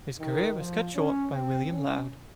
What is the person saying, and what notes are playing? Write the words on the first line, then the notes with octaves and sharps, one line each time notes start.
His career was cut short by William Laud.
D#3
F3
C#4
C4
C#4